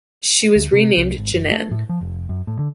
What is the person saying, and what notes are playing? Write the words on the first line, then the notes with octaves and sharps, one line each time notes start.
She was renamed "Jinan".
D2
C3
C2
G#1
F#1
A3
A2
F3
F1
F#2
A2
D3